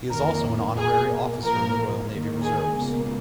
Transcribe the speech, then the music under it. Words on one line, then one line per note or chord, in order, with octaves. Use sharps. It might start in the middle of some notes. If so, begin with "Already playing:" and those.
He is also an Honorary Officer in the Royal Navy Reserves.
F2 D#3 A#3 A#4
B2 A#3 G#4
A#2 F3 A#3 A#4
D#2 D#3 A#3
G#4
C#2 B2 A#3